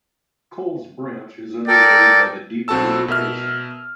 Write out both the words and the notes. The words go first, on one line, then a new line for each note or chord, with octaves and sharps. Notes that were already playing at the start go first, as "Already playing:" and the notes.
Coles Branch is underlaid by the Deep River Basin.
A4 A#4 D5 G5
B1 C4 F#4 A4 A5 E6
B2 A#4 E5 F6